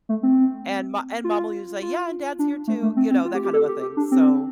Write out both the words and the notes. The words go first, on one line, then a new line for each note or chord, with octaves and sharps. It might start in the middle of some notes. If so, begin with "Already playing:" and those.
and Mo and Mom will usually say, "Yeah, and Dad's here too," you know, that kind of a thing, so,
A3
C4
F4
F4
D4
A3
A3
C4
C4
F4
G4
G4
A4
G4
G4
D4
C4